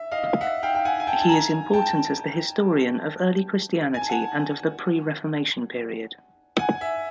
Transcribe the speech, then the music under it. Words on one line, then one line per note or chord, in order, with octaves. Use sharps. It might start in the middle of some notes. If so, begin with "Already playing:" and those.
He is important as the historian of early Christianity and of the pre-Reformation period.
Already playing: E5
D#5 F5
E5 F#5
F5 G5
G5
F#5 G#5
G#5
G5 A5
A5
G#5 A#5
G5 A5
G#5
A5
F#5 G#5
F#5 G#5
E5